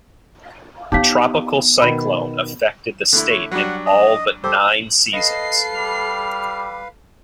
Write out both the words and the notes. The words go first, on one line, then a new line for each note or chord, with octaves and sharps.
Tropical cyclone affected the state in all but nine seasons.
B3 D#4 F4 G4 C#5 F5
B2 D#3 B5
D3 A3 E4
C#5
F#3 G3 D4 F#5
D#5
G4 A4 C5
A4 B4 D#5 F5 C7
G3 F6